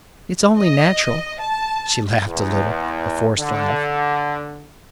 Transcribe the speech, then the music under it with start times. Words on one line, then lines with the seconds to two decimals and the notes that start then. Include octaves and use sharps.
"It's only natural." She laughed a little--a forced laugh.
0.59 D#5
1.41 A5
2.27 E2
3.40 D3